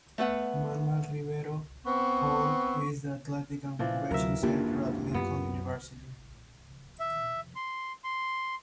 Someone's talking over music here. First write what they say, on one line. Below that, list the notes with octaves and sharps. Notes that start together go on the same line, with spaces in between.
Manuel Rivero Hall is the athletic and recreation center at Lincoln University.
A3 B3 B4 F#5
B3 C4 C#6
A#2 E3 F3 D4
D2 C3 F#3 A#4 E5
G#1 F#2 A#3 D4 F4 G4
F#2 B3
E5
C6
C6